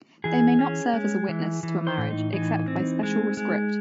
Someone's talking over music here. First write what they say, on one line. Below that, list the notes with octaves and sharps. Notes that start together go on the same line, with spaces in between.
They may not serve as a witness to a marriage except by special rescript.
E3 G#4
C#4
G#3
E3
E3
C5
A2
D#4
E3 D#4
C4
G#3
G#3